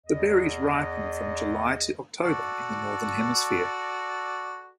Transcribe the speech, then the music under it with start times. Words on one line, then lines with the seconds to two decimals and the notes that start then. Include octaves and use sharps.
The berries ripen from July to October in the Northern Hemisphere.
0.06 E2 D#5
2.21 F#4 A4 D5